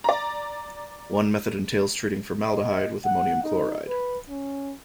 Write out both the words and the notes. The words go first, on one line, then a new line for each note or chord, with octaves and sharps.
One method entails treating formaldehyde with ammonium chloride.
D5 A#5
D#5
F#5
D#4
B4
C#4